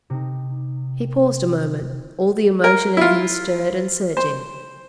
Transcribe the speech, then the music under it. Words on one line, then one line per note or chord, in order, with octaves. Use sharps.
He paused a moment, all the emotion in him stirred and surging.
C3 D#4
A#4
E4 F4
C5